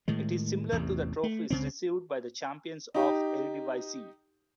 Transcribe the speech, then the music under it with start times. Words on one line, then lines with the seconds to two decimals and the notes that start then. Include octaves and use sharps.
It is similar to the trophies received by the champions of the Eredivisie.
0.08 A2 D#3 G#3
0.72 A1 E2 C3
1.23 A3
1.50 C#2 C#3 C4
2.94 D#4 G4